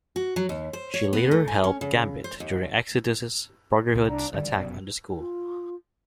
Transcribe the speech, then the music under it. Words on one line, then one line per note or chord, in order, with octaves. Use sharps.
She later helped Gambit during Exodus's Brotherhood's attack on the school.
F#4
F#3
D#2
C5
C#5
B3
A3
G#5
C#4
C#3
C5
D#2
C2
D4 D5 A#5
D3 D#3 G3 D5
F1 F#2 B2
F4